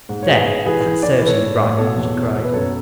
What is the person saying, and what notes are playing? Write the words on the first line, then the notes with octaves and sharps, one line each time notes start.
"There! that serves you right," she cried.
G#2
C#5
G#2 G#4 B4
G#2
E3 G#4 B4
E3
E3 D5
C#5
B4
E3 A4 C#5
A2
A2
B2 A4 C#5
E2
B2
B2
B4
F#2 A4 C#5